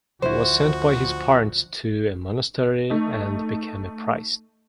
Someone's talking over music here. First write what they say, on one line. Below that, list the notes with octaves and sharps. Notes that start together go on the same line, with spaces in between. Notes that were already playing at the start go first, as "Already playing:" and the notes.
He was sent by his parents to a monastery and became a priest.
D2 F3 E4 F#4 C5
A3 D#4